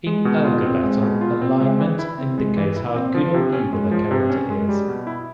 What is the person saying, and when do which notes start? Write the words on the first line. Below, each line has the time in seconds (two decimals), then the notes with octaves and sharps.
In "Ogre Battle", alignment indicates how good or evil a character is.
0.07 G#3
0.25 B2
0.45 F4
0.64 C4
0.83 G#3
1.02 B2
1.21 F4
1.41 C4
1.60 G#3
1.80 E3
1.99 E4
2.18 C4
2.38 G#3
2.57 E3
2.76 E4
2.96 C4
3.14 F3
3.34 C3
3.53 C#4
3.73 G#3
3.91 F3
4.11 C3
4.30 C#4
4.50 G#3
4.69 G3
4.88 B2
5.07 E4